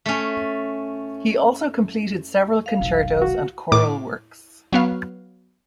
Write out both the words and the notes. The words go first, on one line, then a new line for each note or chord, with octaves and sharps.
He also completed several concertos and choral works.
A3 C#4
F5
F1 B1
F#4
A2 D6
F#3 B3 F5